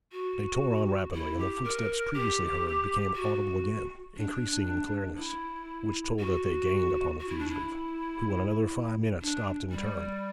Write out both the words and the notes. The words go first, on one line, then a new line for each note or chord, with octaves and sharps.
They tore on rapidly, and the footsteps previously heard became audible again, increasing in clearness, which told that they gained upon the fugitive, who in another five minutes stopped and turned.
F#4
E4
G4
A#4
G4
F#4
D4
E4
F#4
F#4
E4
D4
E4
D4
G3